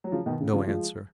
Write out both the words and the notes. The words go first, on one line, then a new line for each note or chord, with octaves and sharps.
No answer.
F#3
C#3 F3
B2 D#3
C#3
C#3 F3
F3 G#3